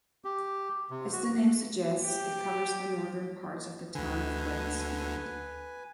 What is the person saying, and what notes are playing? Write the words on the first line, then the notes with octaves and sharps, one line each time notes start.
As the name suggests, it covers the northern parts of the town of Wednesfield.
G4
C3
F#4
G4
D2 D3 B4 G#5